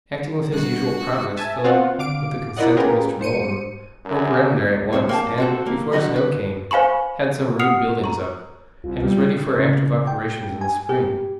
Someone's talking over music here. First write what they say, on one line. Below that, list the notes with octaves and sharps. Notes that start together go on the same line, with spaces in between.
Acting with his usual promptness, Philip, with the consent of Mr. Bolton, broke ground there at once, and, before snow came, had some rude buildings up, and was ready for active operations in the spring.
G2 F#4 F#6
E5 G#5 A5
C4 F4 F#4 C5 F5 F#5
D3 F5 D6 D7
E4 F4 A#4 D5 D#5 F#5
C#4 F4 G4 G#4 A#4 B4
G#2 C5 C#7 D#7
F#2
C2 F#2 C4 C#5
A#3 G5 A5
C4 F#4 A4
A#3
D3 F#3 F#4 D#5 B5
B4
C5 F5 G#5 B5 C#6
F#5 D#6 F6 C7 C#7 F7
A#5 C#6
C2 F4
G3
C#3
G5
G#5
G4